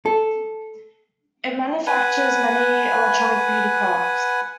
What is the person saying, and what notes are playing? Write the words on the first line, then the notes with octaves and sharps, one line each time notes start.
It manufactures many electronic beauty products.
A4
B4 F#5 G#5